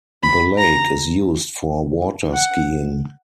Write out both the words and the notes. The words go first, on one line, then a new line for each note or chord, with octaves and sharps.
The lake is used for water skiing.
B5
A#5
F#5